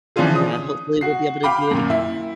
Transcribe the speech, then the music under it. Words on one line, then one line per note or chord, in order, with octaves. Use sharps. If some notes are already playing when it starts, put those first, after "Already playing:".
Yeah, hopefully we'll be able to do it agai
E3 F3 C#4 D4 F4 G#4
D#6
F#4 C7
F5 G5 B5 D6
F#2 A#2
E4